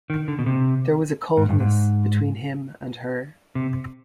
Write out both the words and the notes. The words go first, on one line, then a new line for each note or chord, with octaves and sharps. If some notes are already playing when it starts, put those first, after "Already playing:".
There was a coldness between him and her.
D#3
D3
B2
C3
G#2
G2
G#2
C3